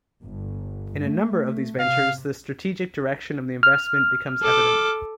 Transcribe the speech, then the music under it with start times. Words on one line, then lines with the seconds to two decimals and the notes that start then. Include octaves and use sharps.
In a number of these ventures the strategic direction of the investments becomes evident.
0.25 G1
1.01 A3
1.80 C3 F5
3.63 F6
4.43 A4 D6